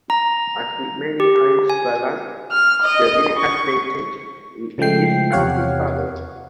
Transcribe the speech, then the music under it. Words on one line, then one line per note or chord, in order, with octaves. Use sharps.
As with many Irish ballads, the lyrics have been changed with each passing cover.
A#5
G4
G#5
F6
D#5
C#6
C#3 F3 G#3 A3 G5 C7
E2 C3 G4 C#5 F5 F#5